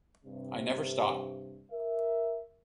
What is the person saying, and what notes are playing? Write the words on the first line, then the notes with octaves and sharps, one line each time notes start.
I never stop.
G2 C3
A#4 E5